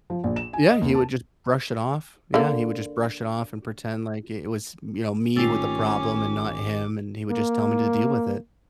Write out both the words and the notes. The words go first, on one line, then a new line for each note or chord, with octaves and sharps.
Yeah, he would just brush it off. Yeah, he would just brush it off and pretend like i it was, you know, me with the problem and not him, and he would just tell me to deal with it.
F3
A#1
E7
G#5
D#5
D#2
A5
D3 A#3
G#1 D#3 A3 C#4 F4 G4 D6
A#3